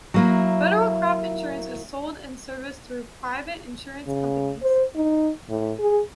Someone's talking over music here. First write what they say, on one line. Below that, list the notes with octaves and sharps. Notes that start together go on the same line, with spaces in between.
Federal crop insurance is sold and serviced through private insurance companies.
F#3 A#3 E4
C#3
C5
D#4
A2
G#4